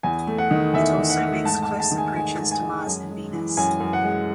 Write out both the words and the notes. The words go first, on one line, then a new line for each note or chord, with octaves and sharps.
It also makes close approaches to Mars and Venus.
E2 G#5
A3
F#5
D#3
E2 E5
E2
F#5
A3
G#2 A5
A5
G#3
A5
D#3
G#5
G#2 G#5
G#2
G#5
G#3
F#2
G#3
E3
F#2 G#5
F#2
F#5
G#3